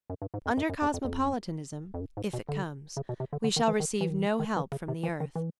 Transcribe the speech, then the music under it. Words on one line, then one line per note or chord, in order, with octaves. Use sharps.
Under cosmopolitanism, if it comes, we shall receive no help from the earth.
F#2
G2
G#2
F2
F#2
F#2
E2
F2
F2
F2
F#2
G#2
B2
D3
C#3
B2
C3
D3
D3
D#3
E3
D#3
E3
D#3
E3
D#3
E3
C#3
C3
E3
D#3
E3